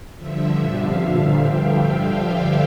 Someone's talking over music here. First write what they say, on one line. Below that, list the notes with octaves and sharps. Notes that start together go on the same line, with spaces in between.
Never you mind about that!
G2 D3 F3 E5
F5
G5
F5